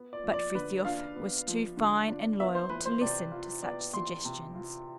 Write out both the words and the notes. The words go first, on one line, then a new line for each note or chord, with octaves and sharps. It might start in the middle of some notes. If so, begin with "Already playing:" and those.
But Frithiof was too fine and loyal to listen to such suggestions.
Already playing: B3
D5
F3
D5
D3 B4
D4 F5
B3
F3
D3
D4
B3 E5
C5
E3 B4
C5
C3 D5
F4
B3 D5
E3 C6
C3
F4